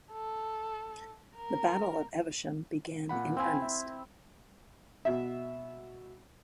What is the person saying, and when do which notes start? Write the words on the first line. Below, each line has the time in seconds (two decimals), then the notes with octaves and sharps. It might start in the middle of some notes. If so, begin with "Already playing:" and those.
The Battle of Evesham began in earnest.
0.12 A4
1.36 A#4
3.09 A#2 F#5 B5
3.37 C4 E4 F5 G5 G#5
3.62 E5
5.05 B2 E5